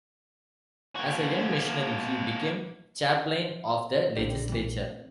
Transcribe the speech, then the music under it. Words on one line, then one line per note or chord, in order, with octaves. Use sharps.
As a young missionary he became chaplain of the legislature.
A#3 F#4
A#1 D3 A#3 G4
F1 E3 G3